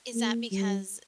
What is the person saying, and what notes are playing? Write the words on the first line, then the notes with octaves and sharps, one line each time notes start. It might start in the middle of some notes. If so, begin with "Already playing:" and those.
Is that because
A#3
G3